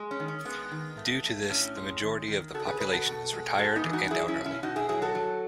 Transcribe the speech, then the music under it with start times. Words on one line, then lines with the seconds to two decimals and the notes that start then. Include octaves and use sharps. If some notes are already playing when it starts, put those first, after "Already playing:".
Due to this the majority of the population is retired and elderly.
Already playing: G#3
0.11 C#4
0.20 D#3
0.28 C#4
0.45 G#3 B3
0.72 D#3
0.97 A3
1.24 A3
1.50 A2 C#4
1.76 G#3
2.02 D#3
2.28 D#3
2.54 C#3 F#4 A4
2.67 G#4 B4
2.80 C#3 G#4 B4
2.93 F#4 A4
3.06 B2
3.33 G#3
3.58 G#3 F#4 A4
3.76 B3 D#4
3.84 E3
3.93 D#4 F#4
4.10 F#3 E4 G#4
4.28 C#4 E4
4.36 B2
4.45 C#4 E4
4.63 B2 D#4 F#4
4.76 E4 G#4
4.89 F#3 E4 G#4
5.02 F#4 A4
5.15 F#3